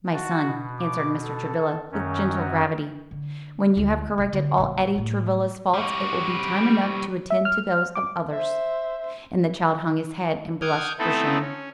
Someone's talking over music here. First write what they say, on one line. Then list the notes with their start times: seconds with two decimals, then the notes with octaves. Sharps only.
"My son," answered Mr. Travilla with gentle gravity, "when you have corrected all Eddie Travilla's faults it will be time enough to attend to those of others." And the child hung his head and blushed for shame.
0.13 F#4 A5
0.45 B2
0.80 D6
1.24 A4
1.92 F#2 D#3 C#4
2.25 F#4
3.11 D3
3.77 D2 E3
4.18 B2 G3
4.33 D3 B3
4.58 A#1 F2
4.95 A2 G3
5.74 G3 F#4
7.30 E5
7.45 F6
7.95 D6
8.31 C5 E5
10.61 F#5 D6 D#6 F6 G6 G#6
10.99 A3 B3 C4 D#4 E4 A4
11.41 C#4